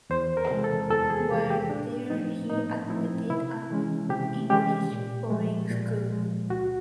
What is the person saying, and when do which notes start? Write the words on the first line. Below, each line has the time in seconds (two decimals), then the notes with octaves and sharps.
While there he attended an English boarding school.
0.10 E2 C5
0.37 A#4
0.50 C3 E3 G#3
0.64 A4
0.90 E2 A4
1.10 G#4
1.30 C3 E3 G#3 G4
1.50 G4
1.70 A2 D4
2.10 F3 A3 C4 D#4
2.50 A2 D#4
2.90 F3 A3 C4 E4
3.30 C3 E4
3.70 E3 G#3 C#4
4.10 C3 G4
4.50 E3 G#3 C#4 G4
4.91 A#2
5.30 F3 G#3
5.70 A#2
6.10 F3 G#3
6.50 C#2 F#4